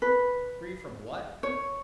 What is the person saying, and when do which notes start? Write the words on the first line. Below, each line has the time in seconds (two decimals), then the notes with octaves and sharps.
Free from what?
0.02 B4
1.43 C#5